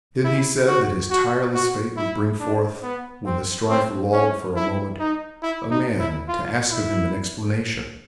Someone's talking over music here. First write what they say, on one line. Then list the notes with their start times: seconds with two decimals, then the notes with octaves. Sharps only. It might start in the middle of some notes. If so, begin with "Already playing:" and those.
But then he said that his tireless fate would bring forth, when the strife lulled for a moment, a man to ask of him an explanation.
0.24 E4
0.68 F#4
1.11 F#4
1.54 F#4
1.97 E4
2.40 D4
2.83 B3
3.26 C4
3.69 C4
4.13 C#4
4.56 E4
4.99 D#4
5.43 E4
5.71 D#4
5.99 E4
6.28 F4
6.71 E4